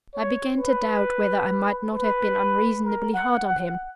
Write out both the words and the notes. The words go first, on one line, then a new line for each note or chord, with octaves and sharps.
I began to doubt whether I might not have been unreasonably hard on him.
C#5
B4
B4
A#4
F#5
F#5